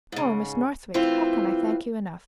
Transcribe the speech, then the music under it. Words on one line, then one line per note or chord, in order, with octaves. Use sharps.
Oh, Miss Northwick, how can I thank you enough?
G#2 C#3
E3 A3 C4 F4